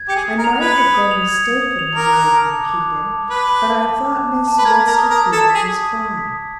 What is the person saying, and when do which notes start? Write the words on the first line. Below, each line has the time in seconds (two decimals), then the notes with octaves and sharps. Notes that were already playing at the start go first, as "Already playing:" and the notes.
"I might have been mistaken," the maid repeated--"but I thought Miss Westerfield was crying."
Already playing: G#6
0.08 G4 C#7
0.16 G#4
0.27 D#6
0.39 A#4
0.44 F7
0.60 B4 G#6
0.78 C#7
0.94 D#6
1.11 F7
1.29 G#6
1.45 C#7
1.62 D#6
1.79 F7
1.95 A#4 D6
2.13 F#6
2.29 A5
2.47 A5
2.63 D6
2.80 F#6
2.97 A5
3.13 A5
3.30 B4 D6
3.48 F#6
3.64 A5
3.81 A5
3.97 D6
4.15 F#6
4.31 A5
4.48 A5
4.59 B4
4.65 A#4 G#6
4.82 B6
4.87 A#4
4.98 D#6
5.10 A#4
5.15 D#6
5.32 A4 G#6
5.50 G#4 B6
5.66 D#6
5.83 D#6
6.00 G#6
6.17 B6
6.34 D#6